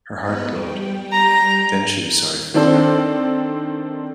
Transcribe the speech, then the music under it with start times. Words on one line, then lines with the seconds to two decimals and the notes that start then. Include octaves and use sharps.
Her heart glowed; then she was sorry for Clara.
0.21 B3 B4 D#5
0.50 G3 G5
1.12 A#5
2.54 D#3 C4 D4 A4 C5